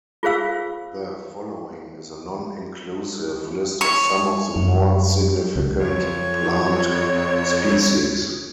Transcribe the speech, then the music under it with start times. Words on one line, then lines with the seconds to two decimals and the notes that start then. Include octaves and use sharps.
The following is a non-inclusive list of some of the more significant plant species.
0.23 F4 G#4 C5 F5 E6
3.81 C#5
4.56 F#2
5.56 C#2
5.80 F2 C#5